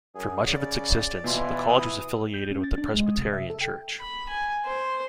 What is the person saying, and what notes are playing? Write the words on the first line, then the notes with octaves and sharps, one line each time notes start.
For much of its existence, the college was affiliated with the Presbyterian Church.
F#2 G#4
C#3 D5
B2 E3 F4 C6
E4 D#6
G6
C#4
A6
D4
G#3
D#6
C3
E5
A4
G5
B5
G#5
C5